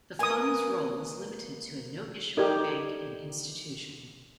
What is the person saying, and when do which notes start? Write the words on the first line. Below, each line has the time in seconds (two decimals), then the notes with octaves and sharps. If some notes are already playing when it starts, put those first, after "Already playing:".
The Fund's role was limited to a note-issuing bank and institution.
0.19 A#3 A#4 B4 G#5 D#6
2.37 D#4 G4 A4 A#4 D5